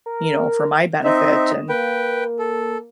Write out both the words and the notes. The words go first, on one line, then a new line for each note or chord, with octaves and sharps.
you know, for my benefit, and,
A#4
C4 D#4 D#5 E5
A#3 B4 G5
A4